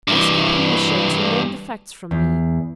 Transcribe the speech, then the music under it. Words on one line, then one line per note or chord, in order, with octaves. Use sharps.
Ask her permission to learn the facts from me.
G2 E3
E2